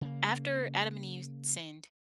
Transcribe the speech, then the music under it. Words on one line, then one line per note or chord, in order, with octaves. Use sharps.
after Adam and Eve sinned,
C#3 A#3